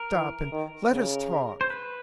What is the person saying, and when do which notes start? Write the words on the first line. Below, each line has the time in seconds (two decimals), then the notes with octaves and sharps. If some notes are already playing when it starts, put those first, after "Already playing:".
"Stop, and let us talk."
Already playing: A#4
0.13 E3
0.52 D#3
0.91 C#3
1.61 C5
1.70 B4